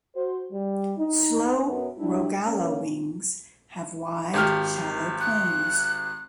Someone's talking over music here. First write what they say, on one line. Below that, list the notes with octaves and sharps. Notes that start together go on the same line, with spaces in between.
Slow Rogallo wings have wide, shallow cones.
F#4 C5
G3
D#4
F#2 B3
G3 D4 E4
A#3 C#4
G#1 G4 F6
F#6